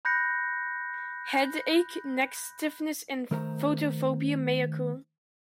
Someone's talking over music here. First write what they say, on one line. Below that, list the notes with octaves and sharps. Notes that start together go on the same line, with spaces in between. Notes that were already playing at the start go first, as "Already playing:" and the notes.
Headache, neck stiffness, and photophobia may occur.
B5 F#6 G6 A#6 C#7
D#3 A3 A#4 C5 D5 A#5